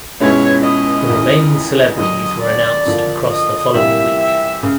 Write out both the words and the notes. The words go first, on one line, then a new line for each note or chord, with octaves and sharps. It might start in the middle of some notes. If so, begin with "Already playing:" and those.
The remaining celebrities were announced across the following week.
C#2 B2 G#3 C#4 E4 C#5
D#5
D#2 C#3 E3
D#2 D3 F#3 D#5
D5
F2 D3 F3 A#3
D#5
C3 E3 G3 A#3 E5
E5
C#3